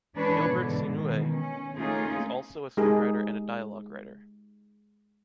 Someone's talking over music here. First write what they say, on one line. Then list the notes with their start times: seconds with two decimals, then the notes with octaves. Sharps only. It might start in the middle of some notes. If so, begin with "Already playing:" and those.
Gilbert Sinoué is also a screenwriter and a dialogue writer.
0.16 E3 G#3 C#4 D4 B4 C#5
0.45 G#2 B2 D3 E3
0.96 B2 D#3 E3
1.30 C#4
1.75 A3 A#3 C#4 D#4 F4 G#4
2.77 G#3 D#4 G4 G#4 A#4